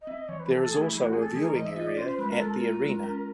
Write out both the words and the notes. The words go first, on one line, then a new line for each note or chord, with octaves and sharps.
There is also a viewing area at the arena.
D#5
C4 E5
D#5
E3 C#5
B4
E3 A4
A4
A3 G#4
E4
A3 E4
F#4
C4 G#4
A4
E3 G#4
A#4
E3 D#5
E5
F4 D#5
D5
C#4 C5
C5
G#3 B4
A#4
G#3 A4
A#4
F4
G#3
C#4